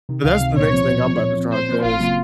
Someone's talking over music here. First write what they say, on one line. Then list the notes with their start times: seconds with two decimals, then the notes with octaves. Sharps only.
but that's the next thing I'm about to try 'cause
0.09 C3 D#3
0.24 C#2 F5
0.41 C3 D#3
0.56 A#2 C#5
0.73 F3 C4
0.89 A#2
1.05 F3 C4
1.21 A#2
1.37 F3 C4
1.53 A#2 C5
1.69 F3 C4
1.84 G#1 F4
2.00 C#3 F#3 A#3